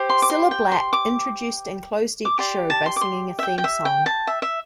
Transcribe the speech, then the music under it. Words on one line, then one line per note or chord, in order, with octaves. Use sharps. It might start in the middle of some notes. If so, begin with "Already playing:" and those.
Cilla Black introduced and closed each show by singing a theme song.
Already playing: G4 C5
C6
D6
C6
G5
C6
D6
D6
G4 D5 C6
A5
C6
D6
C6
E5
G5
G5
E5
G5
A5
E5
E5